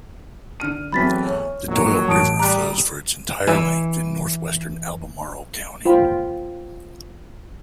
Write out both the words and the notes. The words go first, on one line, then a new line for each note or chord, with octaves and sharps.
The Doyles River flows for its entire length in northwestern Albemarle County.
D3 F6 D#7
E2 A2 E3 F#3 C4 B5 A6 B6
C#5
A#1 D#3 F#3
A1 A5 D#6 D7
G3 A#5 D6 F#6
E3 E4
F4 C5 G5 B5